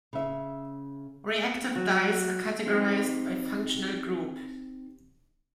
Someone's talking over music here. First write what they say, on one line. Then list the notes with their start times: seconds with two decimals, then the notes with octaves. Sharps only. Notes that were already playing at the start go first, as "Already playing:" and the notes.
Reactive dyes are categorized by functional group.
0.13 C#3 E5
1.76 F#3 F#4
2.66 C4 D#4 G4 C5 D#5